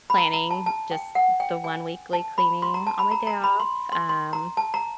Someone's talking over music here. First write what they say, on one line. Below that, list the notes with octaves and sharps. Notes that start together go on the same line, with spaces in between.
planning just the one weekly cleaning on my day off, um,
B5
A#5
A#5
A5
A5
G5
F#5
G5
G#5
A5
B5
C6
A#5
A5
B5
A#5
A#5
B5
C6
C6
C6
A#5
A5
A#5